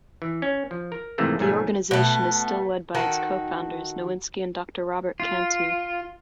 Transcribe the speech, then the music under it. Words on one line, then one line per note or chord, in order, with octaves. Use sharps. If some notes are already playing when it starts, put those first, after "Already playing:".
The organization is still led by its co-founders, Nowinksi and Doctor Robert Cantu.
E3
C#4
F3
A#4
F2 G#2 C3 E3 A3 A#3
B1 G#2 F3 A3 G#5
B2 A3
D#3 F#4 A4
F4